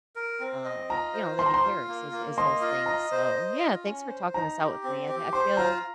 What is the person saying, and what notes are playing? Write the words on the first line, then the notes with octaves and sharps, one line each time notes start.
um, you know, that he cares is is those things. So, yeah, thanks for talking this out with me, I I feel
A#4
C4
D#5
F4 A#5
C5
F4 C6
A#5
C6
F4
A#3
A#3
D#5 C6
F4
D#5 A#5
C5
D#5
F4
C#4
C5
D#4 A#5
G4
C4
G4
C5 C6
F4 A#5